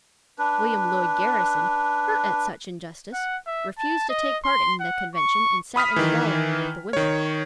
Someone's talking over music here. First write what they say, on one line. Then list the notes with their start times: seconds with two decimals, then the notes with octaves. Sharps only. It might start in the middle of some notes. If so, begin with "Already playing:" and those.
William Lloyd Garrison, hurt at such injustice, refused to take part in the Convention, and sat in the gallery with the women.
0.38 D4 B4
3.14 F#5
3.47 E5
3.79 A5
4.10 D#5
4.45 C6
4.81 F#5
5.16 C#6
5.76 B5 D#6 F6 B6
5.96 D#3 E3
6.93 D#3 C#5